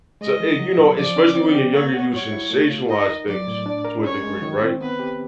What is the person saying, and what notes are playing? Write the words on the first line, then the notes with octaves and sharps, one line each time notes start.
to a you know, especially when you're younger, you sensationalize things to a degree, right?
G#3 D#5
E3
F#3
B2
F3 D5
C#4
C4
G4
A#3 C#5
F#4
G3 C#5
E4
A3
F4
D#4 D#5
A#4
F#3 D5
A2
D4
A#4
C#4 C#5
G#3
D#3
C4
B3 B4
G4